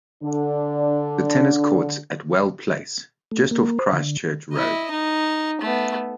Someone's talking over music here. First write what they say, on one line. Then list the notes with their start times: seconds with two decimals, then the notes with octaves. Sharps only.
The Tennis Courts at Well Place, just off Christ Church Road.
0.24 D3 D4
3.31 A3
3.51 A#3
3.79 C5
3.93 D3
4.53 E4 D#5
4.91 D#4
5.61 A3 B3